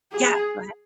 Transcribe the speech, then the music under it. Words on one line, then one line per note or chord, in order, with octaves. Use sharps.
yeah, go ahead.
G#4